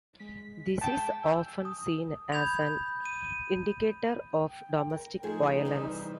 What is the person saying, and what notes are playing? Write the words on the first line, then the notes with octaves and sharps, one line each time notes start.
This is often seen as an indicator of domestic violence.
G#3 B6
G5 A5
G#5 E6 G6
D#6
B5 G6 G#6 F7
D#7
G5
A#4
F3 A3 D#4 G#4
C3 E3 G3